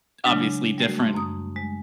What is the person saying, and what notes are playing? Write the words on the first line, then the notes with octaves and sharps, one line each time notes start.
obviously different
C#3 F#3 G#3 D4
G3 A3 F#4
A5 C6
F#2 D#6
G#3